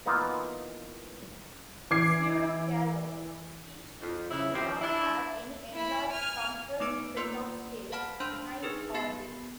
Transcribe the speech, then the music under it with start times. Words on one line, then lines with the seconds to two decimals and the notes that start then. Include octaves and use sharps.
"Pseudocalotes" species do not have any enlarged compressed set of scales behind the orbit.
0.06 E3 A#3 B3 D#4 F4
1.90 E3 D6 G#6 C7
4.01 F2
4.31 C#3 E4
4.54 A2 D#3 F3 C4 G4
4.82 D4 E4
5.73 E4 B5
6.12 G#5 F6
6.80 A3 B3 D#4 B4 D6 D7
7.16 A#3 F4 B4 D5 C6
7.92 F5 F#5 A5 B5 F6
8.20 D4 C5 F5 A5 B5 C6
8.63 D#4 G#4 A#4 B4
8.94 B3 G4 F5 B5 A6 C7